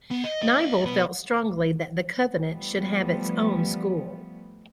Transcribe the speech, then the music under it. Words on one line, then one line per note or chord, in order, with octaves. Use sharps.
Nyvall felt strongly that the Covenant should have its own school.
B3
D#5
C#5 D#5
B2 B4
F3 G3 A3 B3